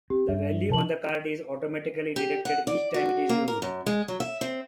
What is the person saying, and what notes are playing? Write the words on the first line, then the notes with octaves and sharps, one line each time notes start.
The value on the card is automatically deducted each time it is used.
C4 G4
G2 E5
C3 F3 A#4 A5 F#7
G4
F#5
D5
F#4
A#3
A#4
F#2
G#3
F#3
E5
C4